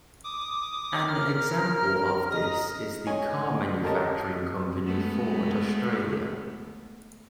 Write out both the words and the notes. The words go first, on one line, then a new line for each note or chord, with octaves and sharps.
An example of this is the car manufacturing company Ford Australia.
D6 D#6
A#4 F6
D#5 A#5 D#6 F6 A#6
C#5 D#5 G#5
G4 A4 A#4 C#5 D#5 A5
G#3 A3 B3